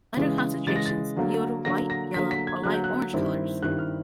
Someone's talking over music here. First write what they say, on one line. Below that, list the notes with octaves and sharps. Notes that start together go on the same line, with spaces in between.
Lighter concentrations yield white, yellow, or light orange colors.
C#3 E3 G#3
C#3 E3 G#3 A6
A#6
A6
D3 F#3 A#3
D3 F#3 A#3 A#6
A#6
D3 F#3 A#3 B6
B6
G#6
D3 F#3 A#3 F#6
G6
F#6
G2 D#3 G3 C4 E4
G2 D#3 G3 C4 E4 F#6
F6